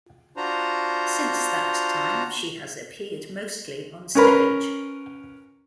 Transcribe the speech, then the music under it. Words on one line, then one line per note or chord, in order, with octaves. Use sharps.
Since that time she has appeared mostly on stage.
D4 F4 F#4 C5 A#5
C#4 A#4 B4